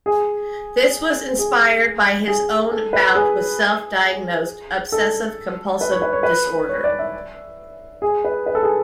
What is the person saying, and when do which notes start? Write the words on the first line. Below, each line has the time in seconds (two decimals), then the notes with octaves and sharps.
This was inspired by his own bout with self-diagnosed obsessive-compulsive disorder.
0.06 G#4
1.39 G#4
2.28 G#4
2.71 A4
2.93 B4
3.15 G#4
4.92 A4
5.81 B4
5.91 C#5
6.02 B4
6.13 C#5
6.23 B4
6.69 C#5
6.84 D5
6.99 E5
8.02 G#4
8.25 B4
8.46 B4
8.55 A4
8.63 G#4